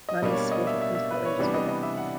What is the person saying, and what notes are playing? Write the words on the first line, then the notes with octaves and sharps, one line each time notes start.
Nyman is a supporter of Queen's Park Rangers Football Club.
D#5
B2 G3 A#3 D4 D#5
C#5
D5
D#5
E5
E5
E5
B4
C#5
C3 E3 G3 B3 D4 D5
D#5
D#5
E5
F#5